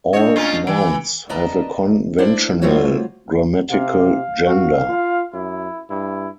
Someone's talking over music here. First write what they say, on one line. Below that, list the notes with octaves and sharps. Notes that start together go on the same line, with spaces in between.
All nouns have a conventional grammatical gender.
D4 C#5 D#5
A2 C#4 F4
E3 D7
A#4 B4 D5 D#5 A5 A#5
D4 E4 C5 D5
G3 A3 F4 F#4 C5 C#5
C3 F5
F#4
F4
F#2 E4
G2 E4